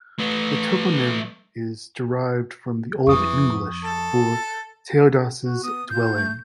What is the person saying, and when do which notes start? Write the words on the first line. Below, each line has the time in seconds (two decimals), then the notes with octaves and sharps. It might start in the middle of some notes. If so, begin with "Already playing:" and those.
The toponym is derived from the Old English for "Teoda's dwelling".
0.19 A3 B4
3.07 F2 E3 C#6 D#6
3.84 A4
5.43 F#4
5.64 B3 D#6
5.90 F4 G6
6.14 A3